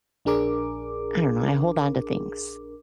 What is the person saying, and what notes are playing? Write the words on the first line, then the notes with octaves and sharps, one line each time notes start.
I don't know. I hold on to things.
A#1 D4 G#4 A#4 D6